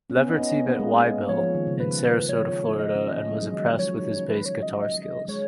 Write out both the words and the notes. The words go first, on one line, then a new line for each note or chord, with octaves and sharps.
Leverty met Waibel in Sarasota, Florida and was impressed with his bass guitar skills.
C#4
B3
C#4 D#5
D#4
C#4
B3
A#3
G#3
F3 C#5
F3
D#3
C#3
D#3 B4
F3 C#5
D#5
C#4
A#3
G#3
F#3
D#3
F3
F#3 C#5
D#4
C#4
D#4 B4
C#5
D#5
G#3 C#5